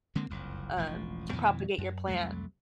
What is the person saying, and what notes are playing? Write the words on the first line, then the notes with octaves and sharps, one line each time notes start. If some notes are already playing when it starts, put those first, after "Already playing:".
um, to propagate your plant."
D3 G#3 A#3 C4
F#1 C2 F2
E1 A1 F3
F2 B2 D#3 E3
F#2
C2 F2 F#3 A3